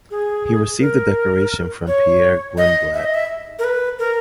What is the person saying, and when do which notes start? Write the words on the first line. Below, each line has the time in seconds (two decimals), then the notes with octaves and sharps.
He received the decoration from Pierre Grimblat.
0.11 G#4
0.80 A#4
1.87 C#5
2.58 D#5
2.94 E5
3.04 D#5
3.14 E5
3.59 A#4
3.64 B4
3.99 A#4